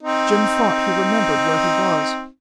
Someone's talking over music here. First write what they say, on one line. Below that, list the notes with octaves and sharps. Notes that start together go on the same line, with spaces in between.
Jim thought he remembered where he was.
C4 D#4